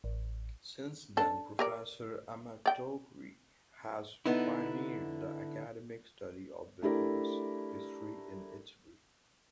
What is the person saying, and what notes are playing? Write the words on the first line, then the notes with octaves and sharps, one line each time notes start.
Since then, Professor Amatori has pioneered the academic study of business history in Italy.
A1
D4 A4
G4 A#4 D5
D5 G5
D3 B3 D#4 E4
A3 D4 E4 G4 A#4